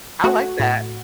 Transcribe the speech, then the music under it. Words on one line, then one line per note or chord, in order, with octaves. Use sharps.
I like that.
A3 F#4
A2